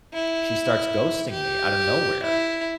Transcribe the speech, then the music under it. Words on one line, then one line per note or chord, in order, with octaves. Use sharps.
she starts ghosting me out of nowhere,
E4
G4
E4